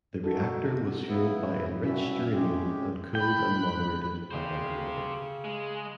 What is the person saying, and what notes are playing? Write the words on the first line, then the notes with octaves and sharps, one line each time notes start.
The reactor was fueled by enriched uranium and cooled and moderated by light water.
D#4 F#4 A4
C#3 B3 E4
G2 E3 C#4 E4 F#4 E5
G#3 C#4 G4
G5 B5 F#6
C#3 G4 C5
G#3